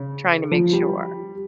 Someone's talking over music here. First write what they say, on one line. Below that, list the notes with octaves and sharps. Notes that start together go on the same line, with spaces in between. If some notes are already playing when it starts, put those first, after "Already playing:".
trying to make sure."
Already playing: C#3
F3
G3